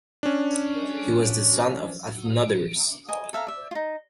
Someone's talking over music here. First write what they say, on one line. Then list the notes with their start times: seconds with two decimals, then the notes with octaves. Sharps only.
He was the son of Athenodorus.
0.23 C#4 D4
3.09 D#5 G#5
3.33 A4 E5 F5 A#5
3.47 D5 E5
3.71 D#4 F4